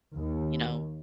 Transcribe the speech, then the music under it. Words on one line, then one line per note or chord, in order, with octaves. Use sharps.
you know,
D#2